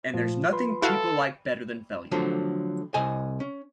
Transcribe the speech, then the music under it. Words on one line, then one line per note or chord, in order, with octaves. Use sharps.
And there's nothing people like better than failure.
A#2 F3 A3 C5
B4 B5 C6
E4 F#4 A4 F5
D3 F3 F#3 A3
C2 C3 D#5 G#5
C#4